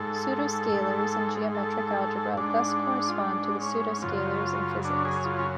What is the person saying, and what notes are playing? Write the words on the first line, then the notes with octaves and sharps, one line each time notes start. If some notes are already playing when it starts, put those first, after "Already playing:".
Pseudoscalars in geometric algebra thus correspond to the pseudoscalars in physics.
Already playing: G#2 A4
G#2
A4
G#2 D4
F4
D4
C#4
F#2 C#3 F4
D4
G#4
F4
C#4